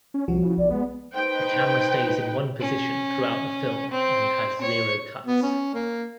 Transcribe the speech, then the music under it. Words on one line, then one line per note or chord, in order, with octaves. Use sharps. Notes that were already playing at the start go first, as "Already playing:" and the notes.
The camera stays in one position throughout the film and has zero cuts.
C#4
C2 F3 F#4
C#3 E4
B1 D5
G#3 B3
D#4 B4 C5 G5
C#4
C4
C#5
B3
C#4
A#3